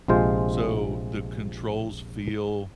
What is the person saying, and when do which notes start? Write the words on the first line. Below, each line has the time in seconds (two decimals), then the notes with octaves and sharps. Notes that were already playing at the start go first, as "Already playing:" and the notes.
so the controls feel
0.08 A#1 C3 G#3 F4 C5